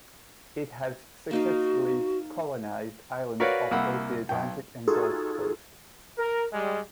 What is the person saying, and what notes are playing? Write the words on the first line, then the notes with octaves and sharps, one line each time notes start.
It has successfully colonized islands off both the Atlantic and Gulf coasts.
A#3 D#4 F#4 F5
F#4 A#4 B4 C#5 D5 F5
C2 A#3 F#5 B5 E6
B1 G5
D#4 F4 F#4 G#4 A4
A#4
G3 G#3